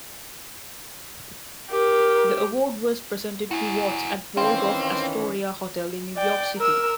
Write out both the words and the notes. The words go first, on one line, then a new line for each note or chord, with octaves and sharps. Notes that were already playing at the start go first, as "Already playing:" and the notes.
The award was presented to Watts at the Waldorf-Astoria Hotel in New York City.
G4 A#4
E4 F#4 G#4
D#3 E3 C4 C#4 F5 G5 C6
D5 G5
A#4 E6